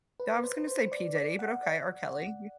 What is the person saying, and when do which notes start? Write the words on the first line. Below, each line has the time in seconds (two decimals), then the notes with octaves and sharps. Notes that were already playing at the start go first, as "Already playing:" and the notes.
I was gonna say P Diddy, but okay, R. Kelly.
0.20 B4
0.44 C5
0.67 C5
0.92 D5
1.15 D5
1.39 F#5
1.63 D5